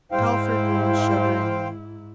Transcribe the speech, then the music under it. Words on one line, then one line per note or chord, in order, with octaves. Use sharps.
Telford moaned shudderingly.
G#2 E4 C5 F5 G5